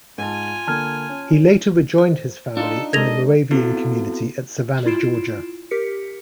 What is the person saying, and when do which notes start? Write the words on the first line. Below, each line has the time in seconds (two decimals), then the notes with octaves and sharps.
He later rejoined his family in the Moravian community at Savannah, Georgia.
0.18 G#2 F4 G#5 A5
0.67 D3 A#3 A5 F6 G#6
1.09 C#4
1.98 C5
2.57 D4 D#4 F4 A4
2.93 G#3 A4 A#4 D#5 G#6 A#6 F7
3.51 B3 C4 E4 F#4 A4
4.86 E4 F4 C7 D7 E7
5.71 G4 A#4 B6 C#7